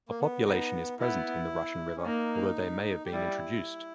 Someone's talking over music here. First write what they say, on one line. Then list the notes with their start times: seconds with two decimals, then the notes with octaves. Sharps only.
A population is present in the Russian River, although they may have been introduced.
0.09 A#3
0.20 B3
0.46 B3 D#4
1.00 B3 E4
1.97 C#4
2.06 A#3 D#4
3.05 G4
3.13 G3 E4